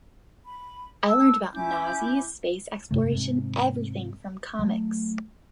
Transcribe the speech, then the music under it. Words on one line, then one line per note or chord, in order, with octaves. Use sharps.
I learned about Nazis, space exploration, everything from comics.
B5
A5 E6
C#4 E4 D6 G6
G1 F2 C3 A3
G#2 C3
F#3 A3